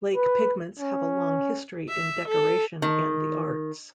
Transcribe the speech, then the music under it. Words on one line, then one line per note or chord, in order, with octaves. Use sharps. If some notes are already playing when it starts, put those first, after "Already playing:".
Lake pigments have a long history in decoration and the arts.
B4
C#4
E5
A4
D#3